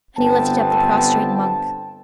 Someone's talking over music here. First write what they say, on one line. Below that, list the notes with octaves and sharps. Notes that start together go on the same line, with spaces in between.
And he lifted up the prostrate monk.
G1 B3 C4 G5 A5